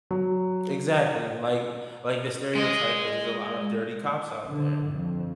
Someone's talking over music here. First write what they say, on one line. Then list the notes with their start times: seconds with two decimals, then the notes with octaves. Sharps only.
Exactly, like like the stereotype that there's a lot of dirty cops out there.
0.11 F#3
2.55 G#3 D#5
4.45 D3
4.89 F2